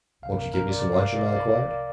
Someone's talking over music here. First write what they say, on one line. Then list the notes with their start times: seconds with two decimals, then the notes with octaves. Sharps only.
"Won't you give me some luncheon?" I inquired.
0.23 C2 C3 F3 F5
0.38 A#4
0.54 A#4
0.69 D5
0.80 D5
0.92 F5
1.03 F5
1.16 D5
1.26 F5
1.36 D5